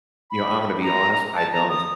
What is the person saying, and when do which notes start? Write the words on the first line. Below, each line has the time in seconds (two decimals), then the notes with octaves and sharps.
You know, I'm gonna be honest, I don't
0.30 B5
0.82 A#5
1.35 A5
1.52 A#5
1.69 D#6